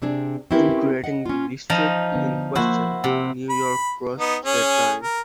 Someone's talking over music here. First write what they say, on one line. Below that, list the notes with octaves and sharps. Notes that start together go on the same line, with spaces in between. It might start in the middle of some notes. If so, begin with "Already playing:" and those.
In creating the district in question, New York crossed that line.
C3 C4 D4 G#4
C4 C#4 E4 G4 A#4 B4
D#5 F#5
C#4 F4
F3 D#4 D#5
D3 B3 D4
F3 A#3 E4 F#4 C5
C3 G4 F#5
B5
B3 D#4
C#4 G#4
A#4